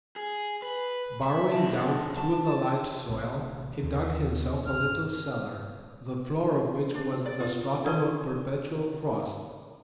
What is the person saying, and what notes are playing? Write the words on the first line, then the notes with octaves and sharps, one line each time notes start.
Burrowing down through the light soil, he dug himself a little cellar, the floor of which was the stratum of perpetual frost.
G#4
B4
E5
F#2 A5
A5
A1 C3
D#2 D3 D#3
G1 B2 F6
D4
D5
F4
D4 A4 B4 D5 A5 C#6